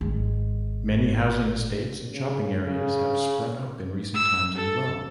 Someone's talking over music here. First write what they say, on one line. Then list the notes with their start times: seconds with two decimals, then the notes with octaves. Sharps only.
Many housing estates and shopping areas have sprung up in recent times as well.
0.01 G#1 G#3
2.10 C#3
2.62 C#3
4.14 E6
4.55 A4